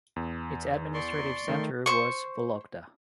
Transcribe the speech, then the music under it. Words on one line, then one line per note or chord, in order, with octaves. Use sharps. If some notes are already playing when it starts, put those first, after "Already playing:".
Its administrative centre was Vologda.
E2
D5 C6 C#6
D#3 A3
C5 C#6